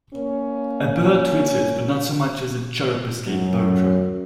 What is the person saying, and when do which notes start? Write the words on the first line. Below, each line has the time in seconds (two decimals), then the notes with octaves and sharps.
A bird twittered, but not so much as a chirp escaped Bertram.
0.13 A#3 C#4
3.26 F#2